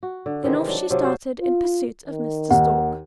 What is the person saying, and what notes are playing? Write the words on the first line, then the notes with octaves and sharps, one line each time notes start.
Then off she started in pursuit of Mr. Stork.
F#4
D3
C3 D#3 E3 G#3
F#3 D4 D5
C3 F#3 F4
F#4 C5 D5 F5
F4
D#3
D#2 F#5